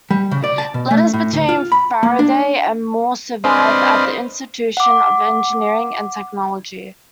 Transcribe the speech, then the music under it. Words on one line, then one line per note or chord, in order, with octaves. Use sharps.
Letters between Faraday and Moore survive at the Institution of Engineering and Technology.
G3
C#3
D5
A5
B2
A3
A2
D2
F4
B5
A#3
D4
C4 D4 B4 C5 D#5 F5
F#5 D6